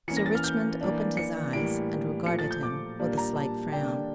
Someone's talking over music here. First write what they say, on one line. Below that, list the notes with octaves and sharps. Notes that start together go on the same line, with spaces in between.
Sir Richmond opened his eyes and regarded him with a slight frown.
E3 A#3 C#4 C#7
A#6
A6
F6
G6
E3 A#3 D4
C#7
A2 E3 G3 A#3 D7
A#2 F3 A3 C#7
A6
G6
D6
A#2 G3 A#3 D4
A#5
A5
D3 G3 A#3 D4 G5